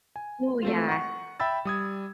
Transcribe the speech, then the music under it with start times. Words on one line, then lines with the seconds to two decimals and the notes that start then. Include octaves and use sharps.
Ooh, yeah.
0.16 G#5
0.63 A3 C4 F4
0.88 F#5 C#6
1.40 E5 G5 B5 E6 A6
1.65 G3 D#6 G#6